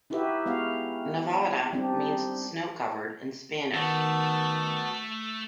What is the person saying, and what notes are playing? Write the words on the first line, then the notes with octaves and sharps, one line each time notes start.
"Nevada" means "snow-covered" in Spanish.
D#4 E4 F#4 G4 B4 E5
G#3 B3 F#4 F5
G3 C4 D4 D#4 G4
D#3 A3 B3 F#4 A5